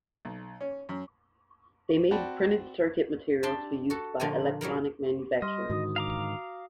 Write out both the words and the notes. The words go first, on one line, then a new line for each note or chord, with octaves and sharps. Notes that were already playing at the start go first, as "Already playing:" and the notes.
They made printed circuit materials for use by electronics manufacturers.
B1
C#4
F#2
C4 F#4 D5 G5 A5 B5
D4 G4 D5 E5 A5 C6
F#4 A4
A#2 D3 F3 D5 G#5 A#5
F#3 G3 E4 A#4
G4
G3 D#5 C6 F6
G#2 D3 D#3 F#4 D#6
F5 A#5 D6